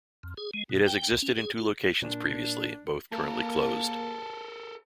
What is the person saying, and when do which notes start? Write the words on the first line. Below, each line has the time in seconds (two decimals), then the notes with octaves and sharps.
It has existed in two locations previously, both currently closed.
0.23 F2
0.37 G#4
0.54 G#3
0.69 B2
0.86 G5
1.11 B1
1.22 C#4
1.38 G#4
1.58 F4
2.02 A#2 D4
3.12 A#3 A4 A#4 A5